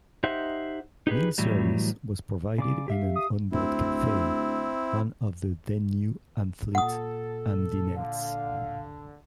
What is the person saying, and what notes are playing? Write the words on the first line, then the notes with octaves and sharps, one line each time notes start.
Meal service was provided in an on-board cafe, one of the then-new Amfleet Am-dinettes.
D#4 G4 C5 E5 F#5
D#4 G4 G#4 B4
A2 E3 F#3 G3
C#3 D5 D6
G4 E5 F5
D#6
D2 C4 E4
A#2 A4 F#5 D#6
D3 F5